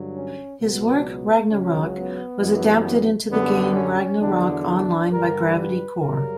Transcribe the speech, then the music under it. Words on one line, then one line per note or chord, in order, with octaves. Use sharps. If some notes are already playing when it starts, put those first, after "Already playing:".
His work "Ragnarok" was adapted into the game Ragnarok Online by Gravity Cor.
Already playing: G2 D3 F#3
C#4
C#2 B2 F#3 B3
C#2 C#3 F#3 C#4
B3
F#2 E3 G3
F#2 D3 G3 B3
C#4
E2 D3 F#3 D4
D4
G2 D3 G3 A#4
B4
F#2 C#3 G3 A#4